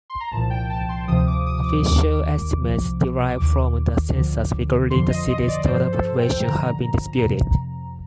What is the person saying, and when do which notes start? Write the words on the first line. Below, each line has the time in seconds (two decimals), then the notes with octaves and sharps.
Official estimates derived from the census regarding the city's total population have been disputed.
0.10 C6
0.20 A#5
0.31 C2 A#2 F3 A5
0.50 G5
0.70 A5
0.89 C6
1.08 D2 C3 F3 D#6
1.27 D6
1.46 D#6
1.65 D6
1.84 D#2 D#3 D6
2.61 C2 C3 F3
3.38 D#2 D#3 D6
4.14 D2 D3 F3
4.90 F2 D3 F3 C6
5.10 D#5
5.29 D#5
5.48 D5
5.67 G2 F3 C5
5.93 A4
6.18 G5
6.43 G2 D3 F3 A#5
7.20 F2 C3 F3